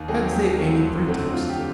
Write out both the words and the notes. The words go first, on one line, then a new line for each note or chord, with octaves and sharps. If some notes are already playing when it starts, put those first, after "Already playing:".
Had they any pretext?
Already playing: D#2
D#3 F#3 A3 C4 G#4
D#2 G4
D#3 F#3 A3 C4
F2
D3 F#3 A3 C4
F2 F4
G4
D3